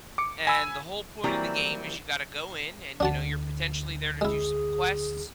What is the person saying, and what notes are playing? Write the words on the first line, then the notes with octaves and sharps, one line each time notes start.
And the whole point of the game is you gotta go in and, you know, you're, potentially, there to do some quests,
D6 C#7
G#5 B5 E6
E3 F#3 G3 A#3 C4 E4
D2 D3 D4 F#4 A5
G#3 E4 G#4